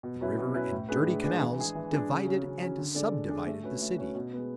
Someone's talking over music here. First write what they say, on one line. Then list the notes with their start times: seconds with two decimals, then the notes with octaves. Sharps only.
The river and dirty canals divided and subdivided the city.
0.03 B2
0.21 F#3 C#4 E4 B4
0.38 B2
0.54 F#3 C#4 E4 B4
0.72 A2
0.89 G#3 D4 G#4 B4
1.07 A2
1.24 G#3 D4 G#4 B4
1.41 E3
1.58 G#3 D4 G#4
1.75 E3
1.92 G#3 D4 G#4
2.09 C#3
2.26 F#3 C#4
2.44 C#3
2.60 F#3 C#4
2.78 D3
2.95 G#3 D4 A4 D5
3.12 D3
3.29 G#3 D4 A4 D5
3.47 A3
3.64 C#4 F#4 B4
3.81 A3
3.98 C#4 F#4 B4
4.15 B2
4.33 G#3 B3